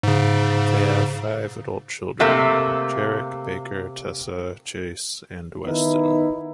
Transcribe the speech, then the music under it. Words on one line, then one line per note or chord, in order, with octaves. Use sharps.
They have five adult children, Jarek, Baker, Tessa, Chase and Weston.
G#2 C#3
C3 A3 A#3
D#3 B3 D#4 E4